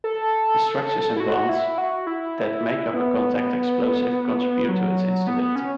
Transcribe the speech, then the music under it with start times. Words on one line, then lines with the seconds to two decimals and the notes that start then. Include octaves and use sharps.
The structures and bonds that make up a contact explosive contribute to its instability.
0.04 A4
1.16 E4
1.20 F#4
1.49 E4
1.78 F#4
2.07 E4
2.94 B3
4.69 F#3
5.27 B3
5.41 B3
5.56 C#4